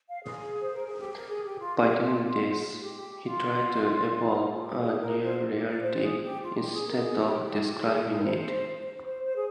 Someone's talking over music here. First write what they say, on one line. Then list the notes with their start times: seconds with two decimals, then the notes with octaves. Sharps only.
By doing this, he tried to "evoke" a new reality, instead of describing it.
0.09 F5
0.23 G#4
0.61 C5
0.73 A#4
0.86 G#4
0.99 G4
1.14 A#4
1.29 G#4
1.45 G4
1.60 F4
1.80 G4
2.00 F4
2.80 G4
2.95 G4
3.10 G4
3.26 F4
4.53 F4
4.62 G4
4.82 G#4
5.02 A#4
5.22 C5
5.52 G4
5.67 D5
5.83 C5
6.02 G#4
6.23 G4
6.43 F4
6.58 G4
6.73 G#4
6.88 A#4
7.03 G#4
7.24 G4
7.44 G4
7.64 G4
7.84 G#4
8.18 A#4
8.24 C5
9.04 C5
9.25 C5
9.36 G#4